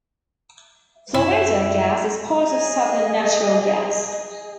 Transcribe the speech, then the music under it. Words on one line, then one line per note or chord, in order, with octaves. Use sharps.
Florida Gas is part of Southern Natural Gas.
F#2 E4
G#4 D#5